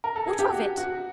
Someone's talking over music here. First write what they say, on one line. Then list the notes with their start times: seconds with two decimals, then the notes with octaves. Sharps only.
"What of it?"
0.04 A#4
0.16 A4
0.27 G#4
0.39 G4
0.50 F#4
0.78 F#4